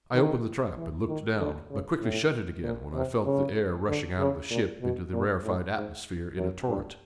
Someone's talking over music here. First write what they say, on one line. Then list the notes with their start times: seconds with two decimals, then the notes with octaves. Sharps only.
I opened the trap and looked down, but quickly shut it again when I felt the air rushing out of the ship into the rarefied atmosphere in a torrent.
0.14 D#3
0.77 E3
1.08 D#3
1.39 D3
1.70 C#3
2.01 A2
2.64 A#2
2.94 C3
3.26 C#3
3.88 D3
4.19 C#3
4.50 A#2
4.82 B2
5.13 A#2
5.44 A2
5.75 G#2
6.37 F#2
6.69 G2